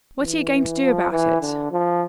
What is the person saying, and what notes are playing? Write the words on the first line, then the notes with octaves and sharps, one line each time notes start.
"What are you going to do about it?"
E3
F3
E3
D3
F3